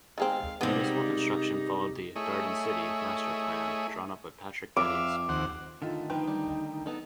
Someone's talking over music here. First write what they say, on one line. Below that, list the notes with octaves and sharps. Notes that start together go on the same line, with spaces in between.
Municipal construction followed the "garden city" master plan drawn up by Patrick Geddes.
D#3 G#3 C4 F5
C3 G3 G#3 A#3 B3 D#4
A3 E4 G#4 C#5 D#5
F2 E5 F5 D6
D#2 C5 F#5
D3 D#3 A3 F4 D#5
F3 D#4 B4 G5
G3
B3 D#4 A4